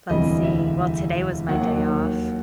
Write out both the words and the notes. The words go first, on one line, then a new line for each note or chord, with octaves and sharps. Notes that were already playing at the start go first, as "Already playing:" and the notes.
Let's see, well, today was my day off.
E1 D2 C3 E3 G3 D#5
E5
D#2 D#3 F#3 A#3 F#5